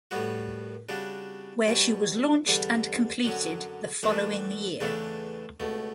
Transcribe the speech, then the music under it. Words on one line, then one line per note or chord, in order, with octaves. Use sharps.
Where she was launched and completed the following year.
A2 G3 B3 F#4
C#3 G3 D4 F#4
B2 G3 C#4
E2 D3 G3
F#2 D3 F#3 C#4
F#2 E3 A3 D4 F#4
E2 C#3 E3 A3 D4
C#2 B2 A3